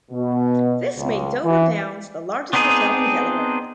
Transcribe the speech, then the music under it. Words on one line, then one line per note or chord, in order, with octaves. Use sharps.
This made Dover Downs the largest hotel in Delaware.
B2
C#2
E3
B3 C4 D4 D#4 G#4